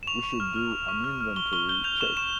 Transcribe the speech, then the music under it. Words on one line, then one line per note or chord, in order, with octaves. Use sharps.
We should do an inventory check.
E7
C#6 F7
C#6
F6
F6
C#6
C#6
F6
F6
C#6 G7
C#6 G7
G6 G7
G6 F7
C#6 E7
C#6 E7